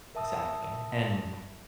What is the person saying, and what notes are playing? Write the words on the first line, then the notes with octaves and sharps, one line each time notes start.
Exactly, and,
A#4 E5 A5 D#6 E6